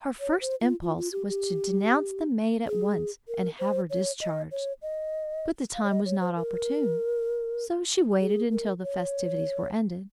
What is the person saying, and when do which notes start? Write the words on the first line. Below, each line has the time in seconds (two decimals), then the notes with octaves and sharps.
Her first impulse was to denounce the maid at once, and have her discharged; but the time was not opportune, so she waited until the festivities were ended.
0.20 C#5
0.41 C5
0.61 F4
0.82 F4
0.98 F4
1.12 G4
1.28 G4
2.67 G#4
3.28 A#4
3.59 C5
3.90 C#5
4.20 D#5
4.52 C#5
4.82 D#5
5.75 F5
5.84 C#5
5.90 D#5
6.05 C#5
6.20 C5
6.36 A#4
8.21 G#4
8.52 A#4
8.82 C#5